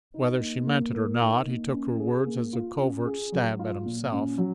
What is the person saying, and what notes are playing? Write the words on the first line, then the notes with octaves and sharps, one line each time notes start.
Whether she meant it or not, he took her words as a covert stab at himself.
D#4
A#3
A#3
A#4
D#4
A#3
C#4
G#4
A#3
F4
C#4
G#4
F#3
F4
A#2
C#4
F#3